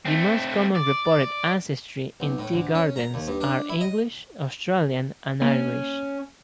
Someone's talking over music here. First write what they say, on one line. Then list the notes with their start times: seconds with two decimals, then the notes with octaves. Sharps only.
The most common reported ancestries in Tea Gardens are English, Australian and Irish.
0.05 A3 C4
0.75 D5
2.20 B1
2.39 A2
2.53 D2
2.74 C#4
2.96 A#5
3.14 D#2
3.28 G2
3.41 D4
3.69 E4
3.81 D#5
5.42 A#3 C#4